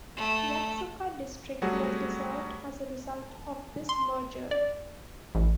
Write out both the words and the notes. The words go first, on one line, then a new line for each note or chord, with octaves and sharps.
Yatsuka District was dissolved as a result of this merger.
A3
F#3 G3 A3 F#4 G#4
C6
D5
A1